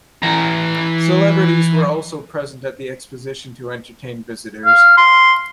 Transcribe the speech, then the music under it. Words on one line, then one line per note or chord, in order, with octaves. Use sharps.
Celebrities were also present at the exposition to entertain visitors.
E3 A#5
F5
C6